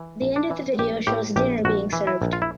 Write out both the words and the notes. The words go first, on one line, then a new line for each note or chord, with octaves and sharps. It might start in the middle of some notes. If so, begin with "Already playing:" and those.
The end of the video shows dinner being served.
Already playing: E3
A#1
D4
E3
A#1 G4
A2 G4
A#1 G4
A#1 F#4
E3
E4
A#1
F4
E4